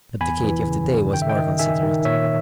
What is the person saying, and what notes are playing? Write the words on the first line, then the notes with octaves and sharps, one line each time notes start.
But the Katy of to-day was more considerate.
E2 G#5 B5
E3
C#3
C#3
D#3 G5
E5
D#5 G5
D#3
D#3 E5 G#5
D#3
A#2 C#5 E5